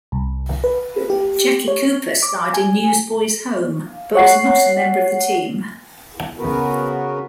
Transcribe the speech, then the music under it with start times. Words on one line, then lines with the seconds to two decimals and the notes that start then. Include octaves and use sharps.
Jackie Cooper starred in "Newsboys' Home", but was not a member of the team.
0.12 C2
0.64 B4
1.10 G4
1.68 C#5
2.23 D6
2.54 G#5
4.15 C#5 F#5 C7
6.38 C#3 B3 F#4 A#4 B4